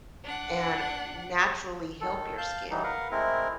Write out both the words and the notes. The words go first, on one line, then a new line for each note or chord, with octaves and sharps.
and naturally help your skin.
D4 F#5
D#3 A4
F5 A5 G6
E2 E3 F#3 G3 D#4
A#4 B4 F5 F#5
G#3 A3 C4 E4 A#4